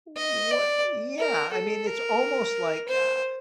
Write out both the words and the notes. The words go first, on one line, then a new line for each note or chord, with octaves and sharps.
What Yeah, I mean, it's almost like, uh
D#5
D5
A#4
A4
A#4
C5